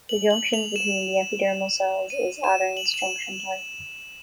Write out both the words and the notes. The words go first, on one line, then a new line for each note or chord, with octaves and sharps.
The junctions between the epidermal cells is adherens junction type.
F#7
F#7
F7
E7
D#7
E7
F#7
F7
E7